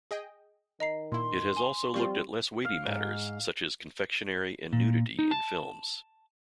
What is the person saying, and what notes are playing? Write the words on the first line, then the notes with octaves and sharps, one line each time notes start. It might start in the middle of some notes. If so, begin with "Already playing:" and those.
It has also looked at less-weighty matters such as confectionery and nudity in films.
G#4 D#5 G5
D#3 D#5 A#5 C7
A#2 E4 C6
G#5 G7
F3 G3 C4 F4 C#6
F5
G#2
A#2
D#4
A5